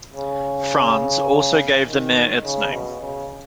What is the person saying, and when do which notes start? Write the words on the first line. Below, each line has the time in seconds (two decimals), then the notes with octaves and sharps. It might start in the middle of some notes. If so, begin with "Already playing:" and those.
Franz also gave the mare its name.
0.12 C#3
1.85 D#3
2.44 C#3
2.72 B2
3.01 C#3